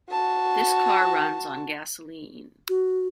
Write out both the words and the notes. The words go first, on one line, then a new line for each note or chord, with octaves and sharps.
This car runs on gasoline.
F#4 A5
F#4